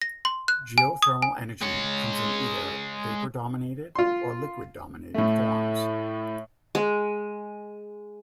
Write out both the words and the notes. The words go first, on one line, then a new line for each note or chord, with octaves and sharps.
Geothermal energy comes in either "vapor-dominated" or "liquid-dominated" forms.
A#6
C6
F#6
G#5
D#6
G#5
G#3 C#5
F4 C6
A2 A3
G#3